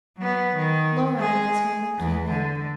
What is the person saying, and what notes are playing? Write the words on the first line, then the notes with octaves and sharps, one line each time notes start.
Laura at this moment, came in.
F#3 B3
D#3
G#3 G#4
E2
D3